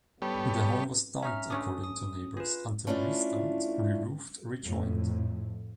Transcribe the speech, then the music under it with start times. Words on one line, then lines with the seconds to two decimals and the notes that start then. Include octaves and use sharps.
The home was "dumped" according to neighbours, until restumped, re roofed, rejoined.
0.22 G3 B3 G4 A4 C#5
1.22 C#4 D#4 E5 A#5 F6
1.50 A3 C#4 D4 D#6
1.84 D#6
2.37 F4 G#4 B4
2.87 A3 C#4 D4 E4 F4
4.61 F2 A2